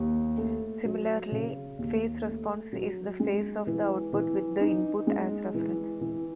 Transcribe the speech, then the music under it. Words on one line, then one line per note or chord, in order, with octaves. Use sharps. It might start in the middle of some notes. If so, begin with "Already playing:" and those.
Similarly, phase response is the phase of the output with the input as reference.
Already playing: D#2
A3
F#3
C#3
D#2
A3
F#3
G#3
E3
E3
D#4
G#3
E3
E3